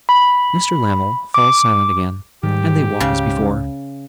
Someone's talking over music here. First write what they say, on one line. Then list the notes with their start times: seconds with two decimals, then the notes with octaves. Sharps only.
Mr Lammle falls silent again, and they walk as before.
0.09 B5
1.34 D6
2.43 G#2 D#3 G3 G4
3.00 C#2 C#3